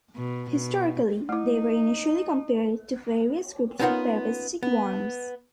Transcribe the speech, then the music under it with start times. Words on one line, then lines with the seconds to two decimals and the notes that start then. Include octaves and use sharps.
Historically, they were initially compared to various groups of parasitic worms.
0.16 B2
0.50 B2
1.29 A3 D#4 E4
3.80 B3 C#4 D#4 F4 A#4 F#5
4.63 B3